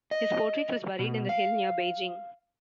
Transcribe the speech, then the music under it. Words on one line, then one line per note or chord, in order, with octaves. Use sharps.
His portrait was buried in the hill near Beijing.
D#5
B2
F5